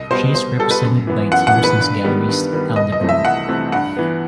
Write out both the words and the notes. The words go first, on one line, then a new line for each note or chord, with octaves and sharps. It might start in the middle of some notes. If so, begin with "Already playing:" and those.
She is represented by Thompson's Galleries Aldeburgh.
Already playing: C2 D#5
B2 G3 B3 C5
C2 C5
B2 G3 B3 A4
B4
F#2
E3 B3
F#2 F#5
F#5
E3 B3
B4
G2
D#3 G3 B3
G2
D#3 G3 B3
C2 D#5
D#5
C3 E3 A3 C4
E5
C2 F#5
C3 E3 A3 C4
G2 F#5
E3 B3